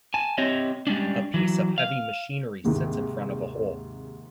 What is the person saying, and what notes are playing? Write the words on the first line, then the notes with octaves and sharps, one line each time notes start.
A piece of heavy machinery sits in front of a hole.
G#5 A5
C4 G4 C#5 D#5 E5
G3 G#3 C#4 D4
E3 F#3
F5
G#1 D#2 G#2 C3 D#3